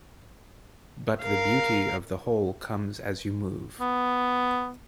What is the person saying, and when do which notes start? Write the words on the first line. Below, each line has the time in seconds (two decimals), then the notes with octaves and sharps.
But the beauty of the whole comes as you move.
1.23 A#4 F5
3.81 B3